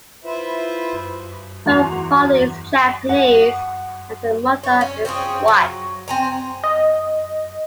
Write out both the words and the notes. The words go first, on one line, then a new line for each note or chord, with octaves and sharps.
Her father is Japanese and her mother is white.
E4 F4 B4 C5 E5
E2 F#4 C6 F7
F#5
C#5
C#4
C4 C#4 F4 G#4
F#3
C4 G#5 A#5
D#5